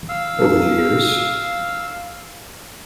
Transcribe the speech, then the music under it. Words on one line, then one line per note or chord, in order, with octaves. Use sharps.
Over the years.
F5 E6